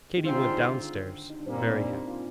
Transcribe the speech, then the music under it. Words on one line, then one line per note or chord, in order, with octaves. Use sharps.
Katy went down stairs very happy.
D#3
G#2 D3 G3 C4 F4
D#4
D4
A#2 G3 A#3 C4
D#4
D4
G4
F4